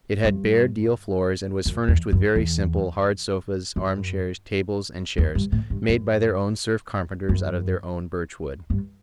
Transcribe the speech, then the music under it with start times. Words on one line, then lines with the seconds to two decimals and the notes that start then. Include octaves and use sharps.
It had bare deal floors and was furnished with very simple hard sofas, armchairs, tables, and chairs made by their own serf carpenters out of their own birchwood.
0.24 G2
1.66 F#2
1.88 E2
2.12 F#2
2.35 E2
3.76 F#2
5.18 E2
5.35 G2
5.52 A2
5.70 G2
5.89 F#2
7.29 F#2
8.70 G2